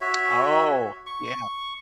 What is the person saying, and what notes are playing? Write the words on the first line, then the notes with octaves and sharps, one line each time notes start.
Oh, yeah.
F#4 C#5 E5
C#6